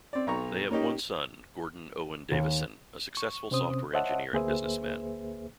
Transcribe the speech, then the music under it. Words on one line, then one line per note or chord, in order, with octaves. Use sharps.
They have one son, Gordon Owen Davisson, a successful software engineer and businessman.
C4 D5
B1 A#5 C#6
A#3 C#4 D#4 G4
D#2
C#6
C3 C4 C#4 C5 D#6
C5 C#5 D#5 E5 F#5 A5
D2 A#3 G#4 B4 C5 E5